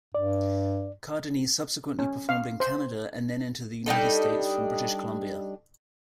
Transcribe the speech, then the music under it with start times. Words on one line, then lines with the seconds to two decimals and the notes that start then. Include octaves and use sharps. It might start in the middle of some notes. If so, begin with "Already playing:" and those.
Cardini subsequently performed in Canada and then entered the United States from British Columbia.
0.15 G2 D5
1.99 C#4
2.29 F5
2.60 C5
3.86 G3 D4 D#4 A4